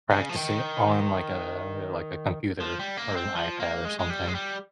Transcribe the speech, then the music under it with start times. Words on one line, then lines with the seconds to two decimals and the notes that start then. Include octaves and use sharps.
practice it on, like, a, like, a computer or an iPad or something.
0.11 C#3
0.29 F3
0.36 D#3
2.60 F3
2.79 G3
2.97 A#3
3.16 C4
3.35 F3
3.60 A#3
3.85 G#3
3.99 G#3
4.10 G3
4.28 G#3
4.35 G3